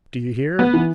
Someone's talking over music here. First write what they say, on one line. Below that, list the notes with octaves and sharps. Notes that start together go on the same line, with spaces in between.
Do you hear?
B3
E3